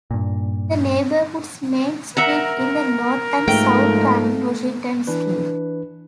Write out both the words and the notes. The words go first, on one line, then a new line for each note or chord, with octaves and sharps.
The neighborhood's main street is the north- and south-running Washington Street.
G2 A#2
A#4 E5 F#5 A#5
G#2 F3 A3 A#3 G5
E3 D4 B4